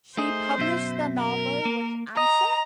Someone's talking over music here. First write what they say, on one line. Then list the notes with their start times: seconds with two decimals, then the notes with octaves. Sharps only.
She published the novel Which Answer?
0.17 A3 D#4 G#4 C5
0.58 F#2 B2 E5
1.20 A#4
1.65 A#3
2.17 D#5 A#5